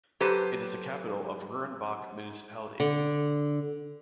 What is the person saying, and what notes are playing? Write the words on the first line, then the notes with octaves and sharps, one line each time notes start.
It is the capital of Rurrenabaque Municipality.
F#3 G4 A4 B4 C5
D3